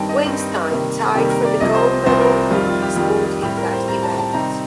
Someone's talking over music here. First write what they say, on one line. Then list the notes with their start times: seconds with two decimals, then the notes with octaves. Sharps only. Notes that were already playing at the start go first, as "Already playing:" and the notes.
Weinstein tied for the gold medal on his board in that event.
Already playing: G2 D#3 G3 C4 D#4 G5 A5
0.09 D#5
0.23 G2 D#3 G3 C4 D#4 G4
0.69 C3 D#3 G3 A#3
1.14 C3 D#3 G3 A#3 G4
1.30 A#4
1.44 D5
1.60 C2 C3 F3 D#5
1.75 C5
2.06 C2 C3 F3 C5
2.21 A#4
2.51 F2 D#3 G3 F4
2.67 F4
2.82 G4
2.96 F2 D#3 G3
3.42 A2 G3 C4 G4
3.57 A#4
3.73 C5
3.88 A2 G3 C4 A#5
4.03 A5
4.19 A5
4.33 C3 D#3 G3 C4 D#4 A#5